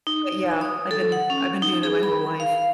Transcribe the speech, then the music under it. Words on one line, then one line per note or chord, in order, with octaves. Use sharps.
but, yeah, I've been I've been doing it my whole life.
D#4
D#6
A4
F#5
C#4
D#4
G#4
B5
F5